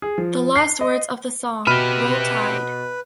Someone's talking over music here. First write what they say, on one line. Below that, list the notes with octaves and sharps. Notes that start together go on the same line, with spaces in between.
The last words of the song, Roll Tide!
G#4
F3
C7
D#5
B2 G4 B4 E5 B5 F6 D#7